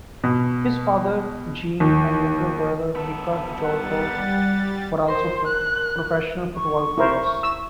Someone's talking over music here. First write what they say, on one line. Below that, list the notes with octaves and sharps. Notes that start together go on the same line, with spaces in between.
His father, Jean, and younger brother, Micha Djorkaeff, were also professional football players.
B2
D#2
B3 A4
G3 F#5 A6
A#4 C5
F#6
C#6
E4 A#4 C5
E6